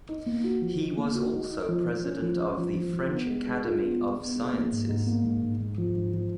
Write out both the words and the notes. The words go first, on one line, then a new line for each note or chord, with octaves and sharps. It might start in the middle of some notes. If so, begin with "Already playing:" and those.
He was also president of the French Academy of Sciences.
D#4
A#3
F#4
F3
D#4
A#3
F#4
D#4
D#4
F3
F3
C#4
F3
C#4
F3
F3
F3
B3
G#3
G#3
F4
B3
G#3
B3
G#3
A#3
G#2
G#2
A#3
G#2
G#2
G#2
F3
G#2
F3